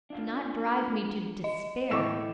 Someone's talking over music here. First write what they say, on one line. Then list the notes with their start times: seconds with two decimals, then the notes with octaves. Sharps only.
Do not drive me to despair.
0.10 D4 F4 F5
1.44 D#5
1.91 E2 A2 A4 C#6 D6 E6 E7